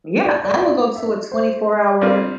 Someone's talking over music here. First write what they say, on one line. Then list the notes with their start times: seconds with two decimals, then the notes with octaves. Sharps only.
Yeah, I will go to a twenty-four-hour,
0.25 D5
0.44 D5
0.61 D5
0.96 E5
1.32 C5
2.01 G3 C4 F4 A#4